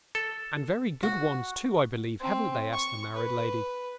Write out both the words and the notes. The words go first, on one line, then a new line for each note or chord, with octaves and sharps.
'And very good ones too, I believe, haven't they?' asked the married lady.
A4
F#4
C4
C#6
B4